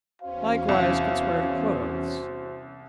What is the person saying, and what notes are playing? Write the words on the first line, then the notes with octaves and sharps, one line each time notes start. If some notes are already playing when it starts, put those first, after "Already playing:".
Likewise could swear to clothes.
E2 C#4 F#4 C5 F5
C2